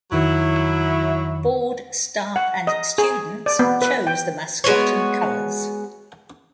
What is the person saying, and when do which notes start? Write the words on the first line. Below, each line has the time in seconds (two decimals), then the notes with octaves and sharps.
Board, staff and students chose the mascot and colors.
0.12 F2 D#3 F#3 E4
2.36 F#5
2.67 D#5
2.98 G#4
3.46 D5
3.59 B3
3.82 B4
4.07 G5
4.64 G#3 B3 F#4 C#5